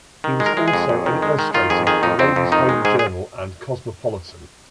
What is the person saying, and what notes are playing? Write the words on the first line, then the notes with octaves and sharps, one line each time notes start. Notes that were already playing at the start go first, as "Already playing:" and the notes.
He was also an illustrator for the "Ladies Home Journal" and "Cosmopolitan".
D#3
G#3
A#4
G#3
G#4
F2
F2
D#3
G#3
D#3
D#3 F4
F2 G#4
D#3 G#4
F2 D#4
F2 C4
F2
D#3 D#4
G#3
G#2 G#4
G#4